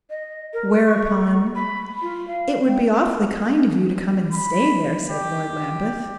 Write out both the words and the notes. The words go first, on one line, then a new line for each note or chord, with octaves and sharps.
Whereupon--"It would be awfully kind of you to come and stay there," said Lord Lambeth.
D#5
A#4
C#6
B5
F4
F5
G5
B5
G4